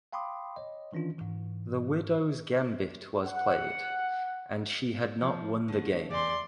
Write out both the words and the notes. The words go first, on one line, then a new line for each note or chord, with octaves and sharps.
The widow's gambit was played, and she had not won the game.
F5 G5 B5 C6 D6 D#6
C#5 D#5
D#3 E3 C#4 D4 F4
G#2 E3
F#5
F3
D3 A3
E2 D5 C6